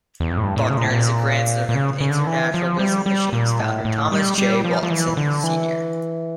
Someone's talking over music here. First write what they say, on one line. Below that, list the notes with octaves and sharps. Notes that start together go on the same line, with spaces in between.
Buckner is a grandson of International Business Machines founder Thomas J. Watson, Sr..
E2
F2
A2
G2
A2
C#3
A#2
A2
A#2
A#2
C#3
C#3
D3
E3
F3
G3
G3
A#2
A2
A2
G3
G3
F3
F3
E3
D3
E3